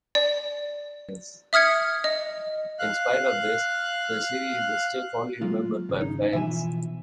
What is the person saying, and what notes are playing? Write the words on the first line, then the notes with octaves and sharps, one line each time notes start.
In spite of this, the series is still fondly remembered by fans.
D5
E5 D#6 F6 G#6 C#7
D#5
F5 F#6
F#3 G#3 A#3 F4
G#1 C#3
D#4
B2 E3 F3 E5 G#5